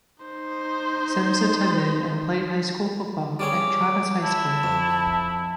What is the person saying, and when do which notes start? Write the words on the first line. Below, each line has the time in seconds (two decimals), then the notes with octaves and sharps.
Sims attended and played high school football at Travis High School.
0.24 D#4 C5
3.39 G3 C#4 G#4 D6
4.23 E4 A5
4.64 F2